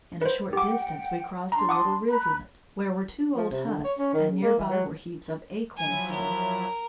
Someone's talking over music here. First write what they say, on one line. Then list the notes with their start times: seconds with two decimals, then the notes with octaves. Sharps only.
In a short distance we crossed a little rivulet, where were two old huts and near by were heaps of acorn hulls.
0.22 B4 C5
0.53 G4 F#5 G5 D6
1.52 D4 A#5 C6
1.69 F#5 D6 D#6
2.09 A#5 B5 F#6
3.36 F3
3.51 C3
3.65 D3
3.84 C#5
3.98 C#4
4.13 D#3
4.30 C#3
4.42 A#3
4.58 E3
4.70 F#3
5.77 F3 F#3 E4 G#5
6.11 A#4